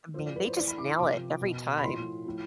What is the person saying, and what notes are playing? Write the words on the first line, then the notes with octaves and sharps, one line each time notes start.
I mean, they just nail it every time.
A2 F3 C5
D5
B4
C5
A2 E3 D5
B5
D6
C6
C3 F3 D6
B2
B5
A2 F3 C6
A2 F3